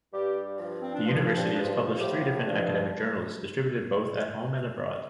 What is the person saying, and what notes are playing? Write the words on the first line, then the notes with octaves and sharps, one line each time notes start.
The university has published three different academic journals, distributed both at home and abroad.
G2 G3 G4
G2 F3
C4
D4
G2 F3 F4
D4
C4
G2 F3 D4
F4
F4
F4
A2 F3 G4
G2 F3